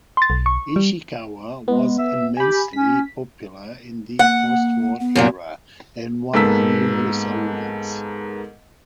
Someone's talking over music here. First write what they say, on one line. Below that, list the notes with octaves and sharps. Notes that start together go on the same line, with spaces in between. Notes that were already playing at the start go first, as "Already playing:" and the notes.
Ishikawa was immensely popular in the post-war era, and won numerous awards.
C6 A6
B1
C#6
G3
G#3 B3
E5
G4 G#5 B5
C#4 B6
A#3 F#5
B3
F#2 A#2 F#3
G#2 A#3 B3 A4 E6 B6